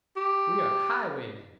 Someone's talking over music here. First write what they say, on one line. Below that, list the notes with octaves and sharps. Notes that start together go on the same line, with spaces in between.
We are highwaymen.
G4